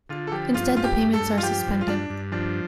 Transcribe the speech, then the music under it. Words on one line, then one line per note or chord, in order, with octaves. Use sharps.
Instead the payments are suspended.
D3 F4
A4
F3 G4
G2 F4
G2 F4
G4
G2
A4
G2
F4
F3 G4
G2
F4
G2 D4
G2
F3 D4